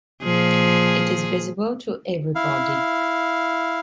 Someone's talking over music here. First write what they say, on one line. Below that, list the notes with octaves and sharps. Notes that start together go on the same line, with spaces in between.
It is visible to everybody.
A#2 F3 G#4
E4 F5